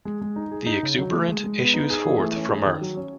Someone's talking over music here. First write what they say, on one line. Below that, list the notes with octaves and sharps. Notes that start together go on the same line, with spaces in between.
The exuberant issues forth from Earth.
G#3
G#3
D#4
G#4
D#4
C#3
F#3
A3
G#3
G#3
B3
D#4
G#4
E3
A3
C#4
G#4
D#3
F#3
C#4